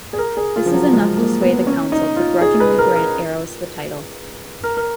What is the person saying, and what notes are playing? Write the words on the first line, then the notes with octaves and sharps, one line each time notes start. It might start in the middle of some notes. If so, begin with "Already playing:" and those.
This is enough to sway the council to grudgingly grant Eros the title.
G#4
A#4
G#4
F4
F3
F#3
G#3
A#3
B3
C#4
D#4
F4
G#4
B4
A#4
A#4
A#4
A#4